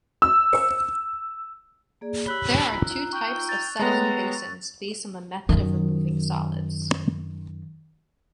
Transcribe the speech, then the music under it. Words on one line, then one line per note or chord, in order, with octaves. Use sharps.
There are two types of settling basins, based on the method of removing solids.
E6
A#3 G#4 D5
G4 C#5 B5 E6 F#6 G7
D#4 F4 A#5
G5 C#6
A6 F7
G#3 B3 C#5 G5 A#5 C6
F#2 D#3